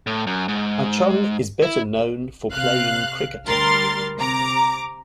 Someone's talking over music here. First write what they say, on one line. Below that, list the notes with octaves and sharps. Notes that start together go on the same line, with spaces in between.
Achong is better known for playing cricket.
A2
F#2
G#2
E4
C3 F5 F#6
D2 G3 A#4 C6 F6 A6
C3 A#5 D6